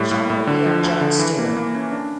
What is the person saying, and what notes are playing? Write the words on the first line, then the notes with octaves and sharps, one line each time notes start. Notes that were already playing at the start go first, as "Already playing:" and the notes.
Sean will be our Jon Stewart.
Already playing: A2 G3
A2
A2
D3
F3
D2
D3
E3
A#3
A#3
C#4
D4